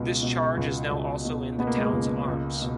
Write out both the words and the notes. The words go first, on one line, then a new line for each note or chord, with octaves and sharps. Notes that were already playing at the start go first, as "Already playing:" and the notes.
This charge is now also in the town's arms.
Already playing: C#2 B2 G#3
B2
C#2
C#2
B2
B2 B3
A#3
G#3
A#3
C#2
C#2
B2